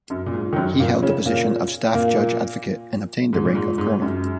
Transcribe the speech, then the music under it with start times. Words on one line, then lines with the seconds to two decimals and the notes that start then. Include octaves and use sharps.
He held the position of Staff Judge Advocate and obtained the rank of Colonel.
0.10 F#2
0.26 A#2
0.34 G#2
0.53 D#3
0.56 F#2 F#3
0.80 A#2 A#3
1.02 C#3 C#4
1.25 A#2 A#3
1.94 A#2 A#3
3.33 G#2
3.45 A#2
3.55 G#2
3.78 G#2
4.02 F#2